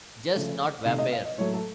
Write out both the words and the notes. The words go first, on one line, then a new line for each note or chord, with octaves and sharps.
Just not vampires.
C#3 F3 A3
C3 D#3 A3 F5
D#5
F5
D#5
A2 F#3 A3 C#5
A4